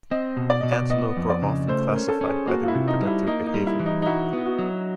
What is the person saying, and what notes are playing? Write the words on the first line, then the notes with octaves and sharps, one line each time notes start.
Antelope are often classified by their reproductive behavior.
C4 D#5
B2
D5
B2 D#5
D5
B3 D#5
F2
D5
C#3
A3 C5
A#4
C#4
A4
C#4
G#4
A#3 F#4
F4
E4
C3
D#4
G3
E4
A#3 D#4
D#4
G3
E4
E3
D#4
D#4
E4 F#4
B3
F#4
F#3